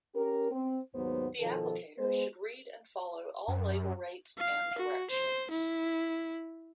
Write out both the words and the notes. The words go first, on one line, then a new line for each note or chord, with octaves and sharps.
The applicator should read and follow all label rates and directions.
C#4 G4 A#4
C4
D#2 G#2 F#3 B3 C5
B2 D#3 F3 A4
G#3 B3 G#4 C5
F#2
F5
F#4
C5
E4